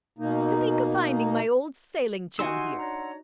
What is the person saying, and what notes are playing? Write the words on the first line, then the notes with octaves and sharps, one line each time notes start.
To think of finding my old sailing chum here!
B2 A#3 D#4
D#4 E4 F#4 G4 F#5 G#5 C6 E6
D4 C#5 A#5